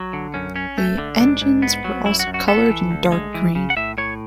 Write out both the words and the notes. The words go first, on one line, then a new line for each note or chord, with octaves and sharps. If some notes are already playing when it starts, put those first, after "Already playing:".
The engines were also coloured in dark green.
Already playing: F#3
D3
F#2 C#4
C#4
A3
D3
G#2 D4
G#2
B3
F#3
F#2 E4
F#4
F#2
F#4
B3 A4
E3
D2
G#3
E3
C#3
F#5
A2 E5
A2 C#5